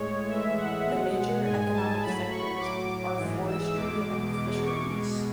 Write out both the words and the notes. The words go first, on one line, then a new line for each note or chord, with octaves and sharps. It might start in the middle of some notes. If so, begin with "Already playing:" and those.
The major economic sectors are forestry and fisheries.
Already playing: A2 G#3 C#5
A2 E3 G#3 E5
F#5
B2 G#3
G#2 G#3 G#5
A5
A2 F#3 B5
C#6
A2 F#3 D6
G#2 E3 G#3
E6
E2 B2 G#3 D6
E2 B2 G#3 D6
C#6
B2 G#3